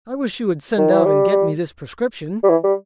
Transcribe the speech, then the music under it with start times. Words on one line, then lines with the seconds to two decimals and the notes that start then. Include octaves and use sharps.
"I wish you would send out and get me this prescription."
0.78 D#3
0.91 E3
1.05 G3
2.43 G3
2.49 E3
2.63 G3